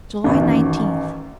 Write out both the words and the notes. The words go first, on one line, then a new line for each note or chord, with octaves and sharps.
July Nineteenth.
A1 F#2 D#3